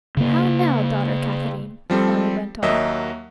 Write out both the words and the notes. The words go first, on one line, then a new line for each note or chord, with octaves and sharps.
"How now, daughter Katharine?" the father went on.
C#3 A#3
F3 G3 C4 A4
D#2 F#3 A#3 D#5 E5